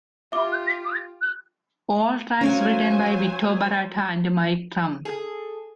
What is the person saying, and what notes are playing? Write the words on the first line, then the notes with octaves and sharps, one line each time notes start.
All tracks written by Vito Bratta and Mike Tramp.
F4 G4 E5 D6
F#3 C#4 A#4 C5 C#5 F5 G#5
G#4 A4